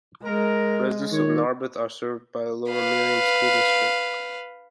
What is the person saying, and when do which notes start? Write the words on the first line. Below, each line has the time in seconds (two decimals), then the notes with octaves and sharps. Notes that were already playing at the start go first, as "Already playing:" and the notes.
Residents of Narberth are served by the Lower Merion School District.
0.25 G#3 A#4
1.12 D#3 C#5
2.70 B4 F5